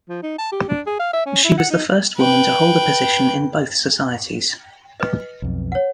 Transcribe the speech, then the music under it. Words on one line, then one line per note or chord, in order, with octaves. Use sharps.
She was the first woman to hold a position in both societies.
F3
D#4
A5
G4
D4
G#4
F5
E5
C#4
E4
F#5
D#4
B4 G5
B4 D#5
B1 F2
C#5 F#5